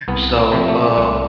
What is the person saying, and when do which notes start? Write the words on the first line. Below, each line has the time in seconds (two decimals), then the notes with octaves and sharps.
So, uh,
0.08 C2 B3
0.38 A#3
0.52 C3 F3
0.68 A3
0.97 C2 A3